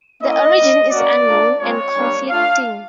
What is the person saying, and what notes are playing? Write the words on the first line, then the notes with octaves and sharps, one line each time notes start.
The origin is unknown and conflicting.
A#3 C#4 E4 D#5
G3 B3 D#4
A#3 C#4 F#4 D5
A#3 D4 F4
G#3 C4 F4 C#5
G3 A#3 D4
A3 D4 F4 F5